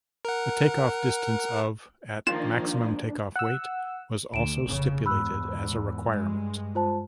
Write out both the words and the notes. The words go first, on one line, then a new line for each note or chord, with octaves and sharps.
A takeoff distance of at maximum takeoff weight was also stipulated as a requirement.
A#4 F#5
D#3 F3 A#3 D4 F4 E7
F#5 E6
D2 D7 E7
F1 C#3
E2 G#2 B5 E6 F#6
G2 G#3
F4 C5 A5